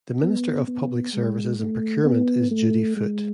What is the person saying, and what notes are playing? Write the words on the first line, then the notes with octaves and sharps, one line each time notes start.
The Minister of Public Services and Procurement is Judy Foote.
B3
B3
G#3
A3
B3
A3
G#3